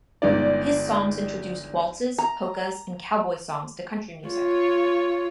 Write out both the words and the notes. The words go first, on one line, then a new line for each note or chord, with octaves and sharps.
His songs introduced waltzes, polkas, and cowboy songs to country music.
G1 G#3 D#4 D5
A#5
F4 C#5